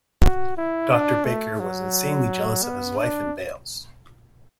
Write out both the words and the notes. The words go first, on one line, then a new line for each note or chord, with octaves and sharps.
Doctor Baker was insanely jealous of his wife and Bales.
F#4
E4
D4
A3
F#3
B3
D4